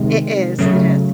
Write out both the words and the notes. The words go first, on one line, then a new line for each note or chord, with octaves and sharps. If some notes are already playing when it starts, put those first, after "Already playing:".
It is, it is.
Already playing: C3 D#3 G#3
C#3 F#3 A3